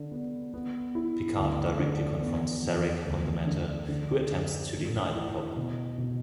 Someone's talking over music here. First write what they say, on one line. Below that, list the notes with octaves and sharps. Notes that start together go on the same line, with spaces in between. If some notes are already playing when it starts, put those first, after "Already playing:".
Picard directly confronts Sarek on the matter, who attempts to deny the problem.
Already playing: D3
B3
B3
E4
D2
D3
B3
E2
D2
D3
D3
D3
A3
E4
B2
B2